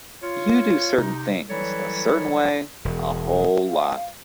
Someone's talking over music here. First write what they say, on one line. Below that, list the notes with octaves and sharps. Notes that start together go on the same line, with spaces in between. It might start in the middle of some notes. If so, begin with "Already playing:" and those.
You do certain things a certain way a whole lot.
F4 C#5
C3 D#4
E3 F#3 G3 E4 A4 C#5
E1
F5